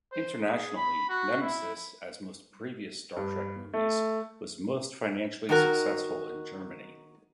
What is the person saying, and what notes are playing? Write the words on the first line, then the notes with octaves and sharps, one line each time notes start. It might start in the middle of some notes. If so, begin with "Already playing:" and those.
Internationally "Nemesis", as most previous "Star Trek" movies, was most financially successful in Germany.
C5
G#4
B5
F#4
E4
G2
A3
D#3 D#4 F#4 A#4